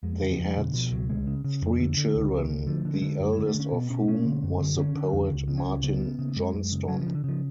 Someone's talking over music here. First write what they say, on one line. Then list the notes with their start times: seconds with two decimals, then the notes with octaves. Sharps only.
They had three children, the eldest of whom was the poet Martin Johnston.
0.03 F2 G#3
0.22 C#3
0.30 F3
0.39 F2
0.57 B2 D3
0.74 B2 F3
0.91 C#2 F#3
1.09 D2 G#3
1.27 C#3
1.44 C#3
1.62 F2
1.80 D3
1.97 D3
2.15 C#2
2.32 C#2
2.49 C#2
2.67 D3 F3
2.85 D3
2.94 G#3
3.02 D3
3.20 F#2 F#3
3.33 G#3
3.38 D3
3.47 A3
3.54 D3
3.60 C#4
3.72 B2 B3
3.90 B2 C#4
4.08 B2 C#4
4.25 D3
4.43 F#2
4.60 D3
4.78 D3 C#4
4.95 D3
5.13 F2
5.31 C#2
5.48 C#3
5.58 C#4
5.66 C#2
5.83 C#3 B3
6.01 C#3
6.19 C#3
6.36 F#2 G#3
6.54 F#2
6.72 C#3
6.88 C#3 F#3
7.01 F3
7.07 C#3
7.15 D3
7.24 C#3 F3